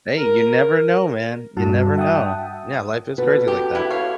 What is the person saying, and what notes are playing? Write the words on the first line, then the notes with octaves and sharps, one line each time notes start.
Hey, you never know, man, you never know. Yeah, life is crazy like that.
A#4
G2 F#4 A5
E5 F#5 G5 A5 D#6
F#4 A4 B4
G4
E4 F#5
C#5 F5